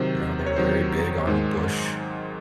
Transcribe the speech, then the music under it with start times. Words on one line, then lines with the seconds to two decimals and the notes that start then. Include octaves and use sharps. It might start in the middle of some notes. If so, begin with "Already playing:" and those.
you know, they were very big on Bush.
Already playing: C3 D#3 F#3 C5
0.46 C#5
0.56 C3 D#3 F#3 C5
1.27 G#2 D#3 G#3